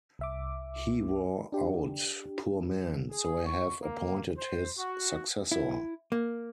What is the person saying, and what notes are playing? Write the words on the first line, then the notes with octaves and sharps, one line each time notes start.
He wore out, poor man, so I have appointed his successor.
C2 E5 D6
D4 G4
G#4
C#6
A#3
C5
F#4
E4
A#3